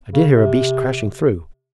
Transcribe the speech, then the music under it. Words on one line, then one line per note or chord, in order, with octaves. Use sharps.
'I did hear a beast crashing through.
C#3
C3